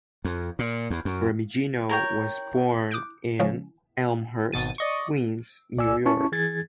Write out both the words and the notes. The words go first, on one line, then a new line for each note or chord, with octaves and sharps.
Remigino was born in Elmhurst, Queens, New York.
F2
A#2
E2
F#2
A#4 C#5 G5
D6 D#6 F#6 G6 D7
C#3 F3 G#3 C#4
G#1 B2 A6 D#7
D5 D#5 C#6
C2 A#2 D5 G#5 E6
C#4 E4 A5 C#6
E3 G#4 G#6 A6